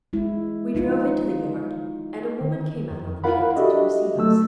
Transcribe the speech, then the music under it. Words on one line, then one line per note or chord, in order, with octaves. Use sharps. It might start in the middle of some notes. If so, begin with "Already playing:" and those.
We drove into the yard, and a woman came out on the piazza to receive us.
G#3 E4
D#4 F4
D#3
F2
E4 F4 A#4 F5 F#5 B5
D4 F#4 G4 A4 D#5 E5
F#3 A3 E6